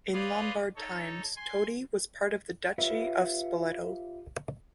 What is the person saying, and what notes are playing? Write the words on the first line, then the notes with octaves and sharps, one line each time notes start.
In Lombard times, Todi was part of the Duchy of Spoleto.
B4 C#5 D5 F5 C6 D#6
D#4 A4 C#5
G#5 C6
F4 G4 B4 C#5 E5 F5